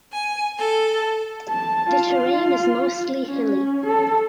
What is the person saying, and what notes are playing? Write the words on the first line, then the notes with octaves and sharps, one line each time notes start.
The terrain is mostly hilly.
G#5
A4
A5
F4
C#4
A4